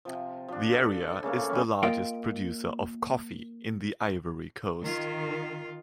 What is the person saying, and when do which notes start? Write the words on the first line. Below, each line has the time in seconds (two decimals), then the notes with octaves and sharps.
The area is the largest producer of coffee in the Ivory Coast.
0.05 C3 F3
0.48 F3 D4
0.72 A4
1.23 C#3 A3 A#3 A4
1.49 G3 C#4
1.83 A#3 F4 A#4 D#5 F5 G5
4.84 D#3 F4